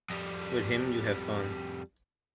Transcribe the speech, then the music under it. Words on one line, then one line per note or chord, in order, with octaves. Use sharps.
With him, you have fun.
F2 G3